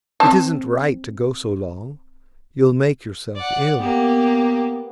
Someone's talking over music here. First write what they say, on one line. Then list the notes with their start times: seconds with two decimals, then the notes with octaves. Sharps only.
It isn't right to go so long; you'll make yourself ill.'
0.20 C4 A5
3.36 D5 F#5
3.80 A#3 B3 G4